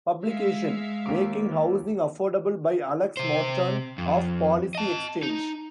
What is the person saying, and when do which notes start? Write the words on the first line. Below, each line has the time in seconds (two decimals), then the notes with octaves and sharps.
Publication: Making Housing Affordable by Alex Morton of Policy Exchange.
0.24 G#3 E5 F5
1.06 D#2 D6
3.17 C3 C5
3.98 F2
4.75 D#5 A5
5.23 D#4